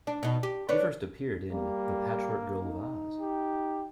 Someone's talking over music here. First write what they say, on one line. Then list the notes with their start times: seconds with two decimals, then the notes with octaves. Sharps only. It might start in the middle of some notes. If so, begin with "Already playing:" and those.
He first appeared in "The Patchwork Girl of Oz".
0.07 D4
0.23 B2 D#4
0.43 G4
0.69 D4 B4 C#5
1.52 G3 A#3
2.63 D#4
3.20 G4